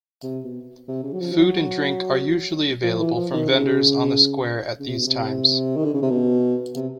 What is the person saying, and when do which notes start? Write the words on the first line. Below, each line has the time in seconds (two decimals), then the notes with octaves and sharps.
Food and drink are usually available from vendors on the square at these times.
0.23 C3
0.44 B2
0.88 C3
1.04 C#3
1.13 F#3
1.20 F3
1.33 F3
1.37 F#3
2.84 F3
3.00 E3
3.16 F3
3.33 D#3
3.49 C#3
4.80 C#3
4.88 C3
4.98 B2
5.07 C3
5.76 D#3
5.84 D3
5.94 C#3
6.02 C3
6.10 B2
6.76 C3